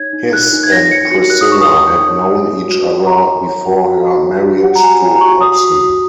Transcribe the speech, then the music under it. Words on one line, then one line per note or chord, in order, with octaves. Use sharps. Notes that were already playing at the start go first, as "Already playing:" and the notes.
Hiss and Priscilla had known each other before her marriage to Hobson.
Already playing: D#4 C#5 G#6
D#4
A#4 F#6
D#4
G#6
C#5 A#6
C#5 C#7
F#4 C#7
A#4 F#6
D#6
C#5 C#6
D#6
C#5
D#4
C#5
C#5
C#5
F#4
C#5
C#5 A#5
C#5
C#5
F#4
F#4
F#4
C#5
F#4
C#5 F#5
A#5
F#4 G#5
C#5 A#5
A#5
F#4 C#6
F#4 D#6
F#4
F#4